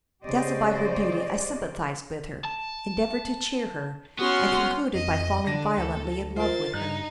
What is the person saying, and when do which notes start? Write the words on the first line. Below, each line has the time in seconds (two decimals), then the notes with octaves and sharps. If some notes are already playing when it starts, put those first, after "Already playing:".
Dazzled by her beauty, I sympathised with her, endeavoured to cheer her, and concluded by falling violently in love with her.
0.25 C#3 G4 C5 D5 D#5
2.45 A5
4.19 B3 C#4 F#4 C6 F6
4.94 F2 D#5
5.47 D3 D4 A#6 D#7
5.77 D2 A4
6.36 F4 A#4 C5 A6
6.74 G2 D#4 F#6